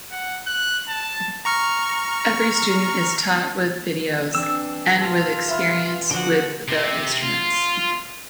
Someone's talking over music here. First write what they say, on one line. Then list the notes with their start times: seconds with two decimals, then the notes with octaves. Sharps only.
Every student is taught with videos, and with experience with the instruments.
0.11 F#5
0.47 F#6
0.88 A5
1.45 A#5 C#6 F6
4.35 E3 C4 D4 E6
5.01 F4 A5
5.49 E5 B5 F6
6.11 D3 F3 F#4 F#5 G7
6.69 C3
7.23 F4